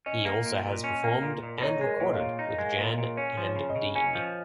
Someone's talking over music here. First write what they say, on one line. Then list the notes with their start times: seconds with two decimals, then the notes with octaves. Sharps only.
He also has performed and recorded with Jan and Dean.
0.06 C#4 D#5
0.25 A#3
0.46 A#2
0.65 A#2
0.84 C#4
1.04 A#3
1.23 A#2
1.43 A#2
1.62 D#4 C#5
1.78 G#3 G#4
1.86 A#4
1.96 A#2 C#5
2.05 D#5
2.13 F5
2.20 A#2
2.39 D#4
2.59 G#3
2.78 A#2
2.98 A#2
3.17 C#4 C#5
3.37 F3
3.43 C#5
3.56 C#3
3.70 D#5
3.76 C#3
3.95 C#4 G#5
4.15 F3